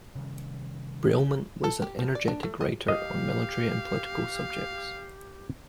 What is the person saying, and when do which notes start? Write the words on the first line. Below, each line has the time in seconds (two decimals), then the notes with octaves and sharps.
Brialmont was an energetic writer on military and political subjects.
0.15 C3 D#3 G3 C#4
1.64 A4
1.82 G4
1.99 F3
2.15 D5
2.28 D4
2.43 A3
2.61 D#5
2.88 G4 D#5 F5